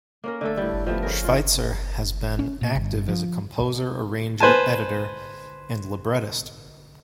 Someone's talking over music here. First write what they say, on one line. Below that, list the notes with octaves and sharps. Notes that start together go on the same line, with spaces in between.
Schweizer has been active as a composer, arranger, editor, and librettist.
A#3 C#4 A#4
D3 A3 A4
A2 G3
F3 G3 A3 B3
C#4 G#4 A#4
D#3 F4
C#4
A#2
G1
F3
B4 C5 G#5 A5